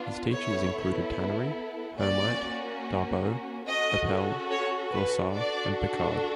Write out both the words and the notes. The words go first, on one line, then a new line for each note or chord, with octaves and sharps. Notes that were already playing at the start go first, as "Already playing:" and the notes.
His teachers included Tannery, Hermite, Darboux, Appell, Goursat and Picard.
Already playing: B3 D4 F4
B3 E4 A4 C#5
A#3 C#4 F#4 D5
C#4 F#4 A4 D#5
C#5
B4
D4 F#4 A4 D5